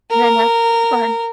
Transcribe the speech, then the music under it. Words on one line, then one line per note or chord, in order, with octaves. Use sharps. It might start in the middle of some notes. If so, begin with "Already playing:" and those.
And then that go ahead.
A#4